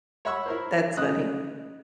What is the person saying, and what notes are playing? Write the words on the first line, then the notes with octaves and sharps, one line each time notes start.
That's funny.
C#5 E5 F#5 B5 C#6 E6
E4 A#4 C5
C#3 D#5 D#6 F#6